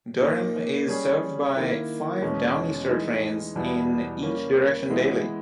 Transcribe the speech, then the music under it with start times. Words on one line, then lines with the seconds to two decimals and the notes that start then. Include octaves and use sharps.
Durham is served by five "Downeaster" trains in each direction daily.
0.21 A#2 A#3 D#4
0.88 G3 C#4 G#4
1.55 D#3 A#3 E4
2.22 E2 B2 G#3 C#4
2.89 E3 G#3 D#4
3.56 E2 B2 G3 B3 E4
4.23 G3 A#3 C#4
4.90 E3 G#3 B3 E4